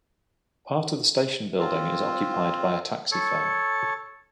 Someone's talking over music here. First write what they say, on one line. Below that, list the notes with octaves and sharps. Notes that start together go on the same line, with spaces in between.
Part of the station building is occupied by a taxi firm.
C4 F4
A4 C#5